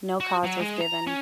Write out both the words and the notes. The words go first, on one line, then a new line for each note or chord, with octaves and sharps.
No cause was given.
F#4
F#3
G#3
A#5
C#4